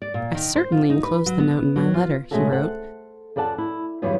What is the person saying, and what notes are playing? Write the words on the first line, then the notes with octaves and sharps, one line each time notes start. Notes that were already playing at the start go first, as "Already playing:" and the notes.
"I certainly enclosed the note in my letter," he wrote.
D5
A#2
D#3
C5
F4
D#4
B4
F#3
B3
F#3
F4
B2 G#3 A3 C#4 F#4 A4
A4 C5 F#5
F2 A4 D5 F#5 A5
E4
E2 G2 D3 F#3 G3 B3